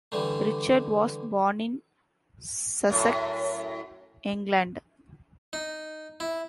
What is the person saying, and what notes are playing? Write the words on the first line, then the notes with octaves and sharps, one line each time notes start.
Richard was born in Sussex, England.
D3 E3 G3 A3
F#2 A2
D#4
E4